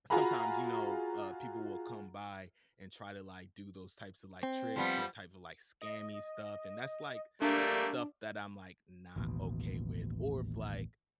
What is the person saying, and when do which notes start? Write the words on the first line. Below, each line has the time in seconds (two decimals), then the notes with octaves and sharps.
sometimes, you know, uh, people will come by and try to, like, do those types of, like, tricks or type of, like, scammy stuff and that's, like, stuff that I'm, like, not okay with. Or if, like
0.10 F4 F#4 G#4 A#5 B5
4.43 C4
4.76 F3 G3 B3
5.82 D#5
7.42 G3 A3 A#3 D4
9.16 A1 D#2 B2